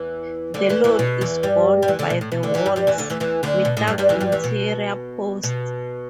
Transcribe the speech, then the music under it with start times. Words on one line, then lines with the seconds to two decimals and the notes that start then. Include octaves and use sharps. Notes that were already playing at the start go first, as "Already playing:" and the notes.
The load is borne by the walls, without interior posts.
Already playing: E2 E3
0.54 D2 D3
0.69 E2 E3
0.84 E2 E3
0.99 B2
1.21 E2 E3
1.43 G2 G3
1.82 G3
1.88 E2 E3
1.99 D2 D3
2.10 B2
2.21 A2
2.32 B2
2.43 D2 D3
2.54 E2 E3
2.66 G2 G3
2.76 G2 G3
2.87 E2 E3
2.98 D2 D3
3.10 E2 E3
3.20 E2 E3
3.43 D2 D3
3.65 B2
3.77 A2
3.88 G2
3.98 G2 G3
4.09 E2 E3
4.21 G2 G3
4.32 E2 E3
4.44 B2
5.43 B2